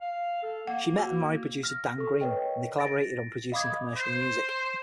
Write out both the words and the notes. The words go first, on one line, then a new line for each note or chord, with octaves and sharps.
She met and married producer Dan Green, and they collaborated on producing commercial music.
F5
A4
A#3 F#5
F#4
F6 A#6
A4 C#6
A#4 B4 C#5 D#5 G5
A6 A#6 D7
D#5 F5 B5 D6 D#6 G#6
C5